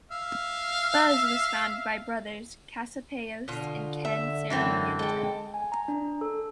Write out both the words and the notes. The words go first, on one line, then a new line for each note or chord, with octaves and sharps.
Phuz was founded by brothers Casapaos and Ken Sarmiento.
E5 F5
B2 D3 F4
E5
F#2 D3 E3 C4
G#3 A4 G5
G#5
A#5
D4
A4